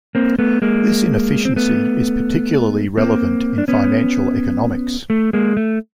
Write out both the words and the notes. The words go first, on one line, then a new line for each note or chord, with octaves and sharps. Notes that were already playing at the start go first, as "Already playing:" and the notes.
This inefficiency is particularly relevant in financial economics.
A#3 C4
A3 B3
G#3 A#3
C4
A3 B3
A#3 C4
D4
B3 C#4
A3
G#3 A#3
A3